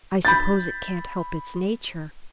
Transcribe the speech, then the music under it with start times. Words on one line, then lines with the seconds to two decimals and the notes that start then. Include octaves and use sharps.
I suppose it can't help its nature.
0.25 B5 G6 A6